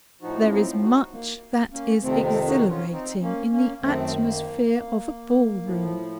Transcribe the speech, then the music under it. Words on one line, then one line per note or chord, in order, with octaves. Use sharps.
There is much that is exhilarating in the atmosphere of a ball room.
A2 F3 D#4 F#4
C#4
C4 D#4
D#4 F#4
A#3
A#3 C#4
F2 C3 D#3 A3 C4
A3 C4
D#4 F#4
C#4 F4
C4 D#4
A#3 C#4
A#3 C#4
F#2 D#3 A3 C4
A#3
A2 F3